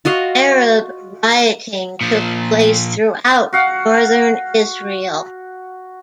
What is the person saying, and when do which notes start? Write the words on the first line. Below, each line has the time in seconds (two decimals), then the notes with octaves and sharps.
Arab rioting took place throughout northern Israel.
0.05 F4 F#4 D#5 F5
2.01 A#2 F3
3.53 F#4 F5 F#5